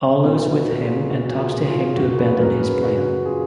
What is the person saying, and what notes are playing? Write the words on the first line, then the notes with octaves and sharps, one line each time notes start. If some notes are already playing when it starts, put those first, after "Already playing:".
Arlo is with him and talks to him to abandon his plan.
A#2 B3 D#4
D#4 F#4
A#2 A#4
F4 G#4
A#2 F#4 A#4
F4 G#4
A#2
F4 G#4
G#4
F#2 F#4 A#4
A#4
G#4 B4
F#2 F#4 A#4
G#4 B4
C#3 F#4 A#4
F4 G#4